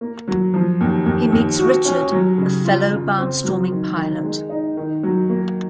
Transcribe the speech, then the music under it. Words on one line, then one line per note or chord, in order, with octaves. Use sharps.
He meets Richard, a fellow barn-storming pilot.
A#3
F#3
F3
D#2
D#2
D#2
F#4
C#4
F#3
C#3
F4
C#3
C4
F#3
D#3
D#3
G#3
D#4
D#3
F#3
A#3